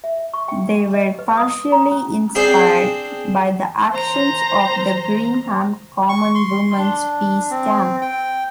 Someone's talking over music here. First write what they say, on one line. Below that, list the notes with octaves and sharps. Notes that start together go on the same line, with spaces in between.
They were partially inspired by the actions of the Greenham Common Women's Peace Camp.
E5
C#6
G5
D#5
B4
D#6
A#5
C#4
C4 D4 G#4 C5
C5 A#5
C#6
C6
D4
C4
G5